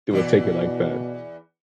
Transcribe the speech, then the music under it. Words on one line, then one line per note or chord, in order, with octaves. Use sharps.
they would take it like that.
E2 B2 E3 D5